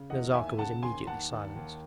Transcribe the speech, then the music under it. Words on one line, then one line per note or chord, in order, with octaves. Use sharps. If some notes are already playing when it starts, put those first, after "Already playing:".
Nazarka was immediately silenced.
Already playing: C#3
E2 D#5 F#5
D#2 E5 G#5
C#3 F#5 A5
D#2 G#5 C6
D#2 F#5 A5
D#3
D#2